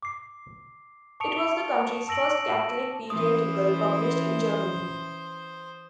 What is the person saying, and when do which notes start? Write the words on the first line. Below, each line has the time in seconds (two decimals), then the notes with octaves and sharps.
It was the country's first Catholic periodical published in German.
0.03 D6 C7
1.20 A5 C#6 D#6 C#7 D7 F7
2.08 A5 E6 A#6 D7 F#7
3.10 E3 C#4 C5 D#6